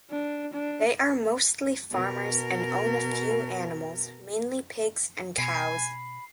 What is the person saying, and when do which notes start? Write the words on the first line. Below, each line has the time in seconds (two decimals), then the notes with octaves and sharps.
They are mostly farmers and own a few animals, mainly pigs and cows.
0.10 D4
0.53 D4
1.91 B2 A#4
5.38 B2 G#5 B5 C7